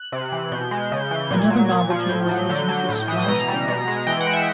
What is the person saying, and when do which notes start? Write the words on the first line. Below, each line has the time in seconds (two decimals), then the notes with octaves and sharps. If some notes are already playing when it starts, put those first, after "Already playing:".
Another novelty was his use of splash cymbals.
Already playing: F#6
0.12 C3
0.32 E3
0.52 B2 G6
0.71 G#3 G6
0.92 C#3
1.11 E3
1.30 A#2 G#6
1.50 F#3
1.70 A#2
1.90 F3
2.09 A2 G6
2.29 F#3
2.50 D3
2.69 F#3
2.89 A2 G6
3.08 E3 D#6
3.28 B2 A#5
3.48 G3
3.68 B2
3.88 G#3
4.07 E3 G5
4.21 F#5
4.27 G#3
4.33 E5